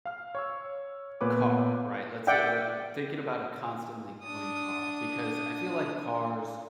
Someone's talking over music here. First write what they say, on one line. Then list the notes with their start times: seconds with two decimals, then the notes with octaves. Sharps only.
car, right? Let's, uh uh, thinking about a constantly clean car, because I feel like cars,
0.05 F5 F6
0.35 C#5 C#6 E6
1.21 A#2 B3 B4 C#5 D6
2.27 D5 E5 F#5 G5
4.24 D4 D#6